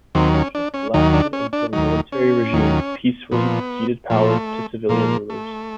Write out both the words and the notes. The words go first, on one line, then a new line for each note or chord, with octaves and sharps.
The dictatorship lasted until the military regime peacefully ceded power to civilian rulers.
D#2 D#3 F#3 C4
C#4
D4
C#4
D#2 D#3 F#3 D#4
D4
C#4
D4
D#2 D#3 F#3 D#4
C#4
D#2 D#3 F#3
A#2 F3 B3
A#2 F3 A3
A#2 F3 A#3
A3